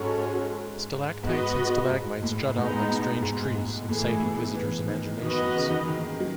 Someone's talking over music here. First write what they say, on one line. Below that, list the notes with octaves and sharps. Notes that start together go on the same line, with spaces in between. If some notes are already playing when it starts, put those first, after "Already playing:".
Stalactites and stalagmites jut out like strange trees, exciting visitor's imaginations.
Already playing: G#2 G#3 C#4 F#4 A4 C#5
G#2 B3 F#4 B4 D#5
G#2
A2
A2 G#3 B3 D#4
B2
G#2
G#2
A2 E3 A3 E4 G#4
B2
E3
D#3
D#3 B3 F#4 B4 D#5
E3
C#3
D#3
D#3
F#3